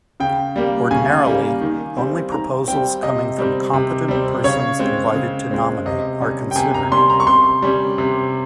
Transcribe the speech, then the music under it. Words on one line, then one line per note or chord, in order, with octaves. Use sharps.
Ordinarily, only proposals coming from competent persons invited to nominate are considered.
C#3 G5
G3 A#3
C#3 G#5
G3 A#3
D#3
G3 C4
D#3 A#5
G3 C4 G5
C3 D#5
G3 C4
C3
G3 C4
C#3 C#5
G#3 C4
C#3
G#3 C4
C3 D#5
G3 C#4
G5
C3 G#5
A#5
G3 C#4 C6
A#5
C#6
C3 C6
G3 C#4
C3